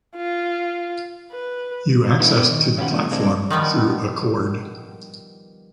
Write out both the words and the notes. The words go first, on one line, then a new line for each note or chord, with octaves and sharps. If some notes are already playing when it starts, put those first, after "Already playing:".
You access to the platform through a cord.
F4
B4
G#2 D3 E3 G3 B3 E4
F#3 B3 C4 B4 D5
D#3
E2 C#4 F4 G4 B4 F#5
B2 F3 A3
A#2 G#3 A#3 C4 D4
D#3 F3 G3 B3